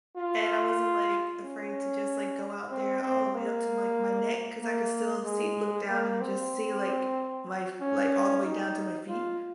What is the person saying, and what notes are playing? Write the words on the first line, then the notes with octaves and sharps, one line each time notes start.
and I wasn't, like, afraid to just, like, go out there all the way up to, like, my neck 'cause I could still see look down and just see, like, life, like, all the way down to my feet.
F4
C#4
C4
C4
A#3
A#3
G#3
A#3
C4
C#4
D#4
F4